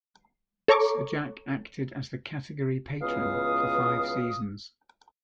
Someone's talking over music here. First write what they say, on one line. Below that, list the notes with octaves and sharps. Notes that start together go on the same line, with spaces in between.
Sir Jack acted as the category patron for five seasons.
A4 C#5 A#5 C#6 D6
C#2 B2 E3 B3 F5 D#6